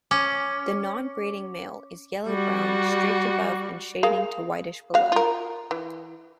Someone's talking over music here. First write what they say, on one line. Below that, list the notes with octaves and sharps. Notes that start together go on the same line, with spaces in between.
The non-breeding male is yellow-brown, streaked above and shading to whitish below.
C#4 D6
G3 F#4
G#4 A#4 F5
F#4 F5
F4 A#4
E3